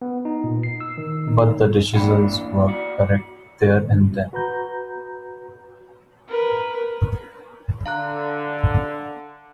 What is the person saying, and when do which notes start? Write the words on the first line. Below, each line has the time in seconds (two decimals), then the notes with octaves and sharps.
But the decisions were correct-there and then.
0.02 B3
0.25 D#4
0.44 A#2
0.63 C7
0.80 E6
0.98 D#3
1.28 D#4
1.94 A#2 E3 D4 F#5 G5 B5
2.68 F#4 D5
4.33 F#4 B4 A#5 G6
6.28 A#4 B4
7.86 D3 F5 A#5 F#6